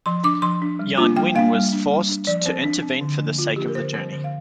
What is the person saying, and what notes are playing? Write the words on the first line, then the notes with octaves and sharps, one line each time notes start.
Guanyin was forced to intervene for the sake of the journey.
F3 C6
D4 D6
F3 C6
D4
G3
A#3 D4 F4
G3 G5
A#3 D4 F5
G3
D4
G3
D4
F3 D5
C4 C5
F3 D4
C4
D3
F3 A#3 D4
D3 F4
F3 A#3 D4 G4
A#4
D3 C5
F3 C4 C5
D3 C5
F5